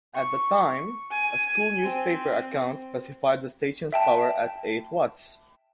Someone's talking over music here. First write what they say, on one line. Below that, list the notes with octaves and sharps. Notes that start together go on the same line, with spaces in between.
At the time, a school newspaper account specified the station's power at eight watts.
C#6
G#5
C4
E5 G5 A5